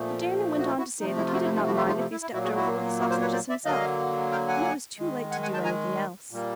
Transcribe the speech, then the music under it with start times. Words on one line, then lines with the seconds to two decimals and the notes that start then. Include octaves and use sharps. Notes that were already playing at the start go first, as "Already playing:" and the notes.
But Daniel went on to say that he did not mind if he stepped over with the sausages himself, when it was too late to do anything else.
Already playing: A#2 F3 A3
0.58 F#4
0.66 D#4 F4
0.77 E4 F#4
1.00 C3 F3 A3 D#4
1.17 E4
1.27 F4
1.33 E4 F#4
1.45 E4
1.55 D#4 F4
1.67 E4 F#4
1.77 F4 G4
1.88 D#4 F4
1.99 E4
2.11 E4
2.22 E4
2.33 A#2 F#3 A#3 E4 F#4
2.44 F#4 G#4
2.55 E4 F#4
2.99 E4 F#4
3.10 A#4 C5
3.21 B4 C#5
3.32 C5 D5
3.49 D5 E5
3.65 D3 F#3 A#3 D#5 F5
4.32 F5 G5
4.48 F#5 G#5
4.98 D#3 G#3
5.31 F#5 G#5
5.43 F#5 G#5
5.53 G5 A5
5.64 G#5 A#5
6.31 A#2 G3 A#3